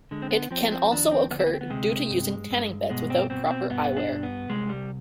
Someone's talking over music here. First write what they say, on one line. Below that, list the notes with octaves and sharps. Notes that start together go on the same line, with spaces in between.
It can also occur due to using tanning beds without proper eyewear.
D3 G#3
C4
B3
F3 C4
C4
D#2 D4
C4
D2 B3
C4
B3
C4
B3
C3 G#3
G2
G2
B2 G#3
C4
B2 C4
D4
C4
G2 B3
D4
G2
B3
C2 G#3
G3